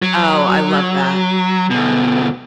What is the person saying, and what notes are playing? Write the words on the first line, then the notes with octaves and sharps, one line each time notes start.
Oh, I love that.
F#3
D2 B2